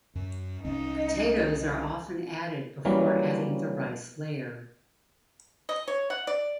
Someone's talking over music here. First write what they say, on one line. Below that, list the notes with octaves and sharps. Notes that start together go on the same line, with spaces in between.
Potatoes are often added before adding the rice layer.
F#2
C2 C#4 D#4
E3 F#3 G3 A#3 C#4
D#5
C#5
F#5
D5